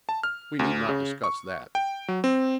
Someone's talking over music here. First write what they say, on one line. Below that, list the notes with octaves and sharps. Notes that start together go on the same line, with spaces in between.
"We need not discuss that."
A5
F6
D2
C#3
C#6
G5
F#3
C4